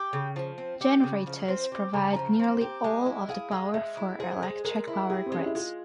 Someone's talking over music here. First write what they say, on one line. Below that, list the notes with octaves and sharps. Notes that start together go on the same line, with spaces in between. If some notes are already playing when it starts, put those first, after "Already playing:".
Generators provide nearly all of the power for electric power grids.
Already playing: G4
C#3
F3
C4
G4
C#3
F3
C4
G4
C#3 A#5
G#5
F3 A#5
C4
G4
G#3 G#5
E4
G#4 F5
G#3
G#3 E5
E4
G#4 C5
G#3
G#3 A#4
E4
G4 G#4
C4
G#3 C#4
E4
G#3 F4